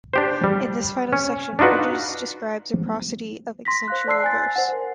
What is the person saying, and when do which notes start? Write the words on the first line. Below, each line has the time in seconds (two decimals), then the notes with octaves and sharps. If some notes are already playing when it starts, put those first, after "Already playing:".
In this final section, Bridges describes a prosody of accentual verse.
0.14 D4 G4 C5
0.44 G3
1.13 C#4
1.59 D4 D#4 F4 F#4 B4
3.65 C6 A#6 B6
3.88 C5 F5 F#6
4.07 D5 A5 C6 E6 F#6 C7
4.24 G#5 A6
4.55 C5 F#5
4.69 A#4 C5